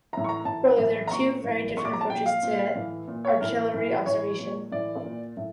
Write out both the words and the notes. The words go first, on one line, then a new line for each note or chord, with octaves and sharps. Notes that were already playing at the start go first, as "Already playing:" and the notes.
Broadly, there are two very different approaches to artillery observation.
A2 E3 A#5
C#6
A#5
A2 E3 A5
A2 E3
A#5
A#2 C#6
A2 E3
A#2 C#6
D6
A#5
A5
A#2 G5
F5
A#2
A2 E3
A#2
C#5
A2 E3 A#4
A2 E3
A2 E3 C#5
A#2
A2 E3 D5
A#2
A2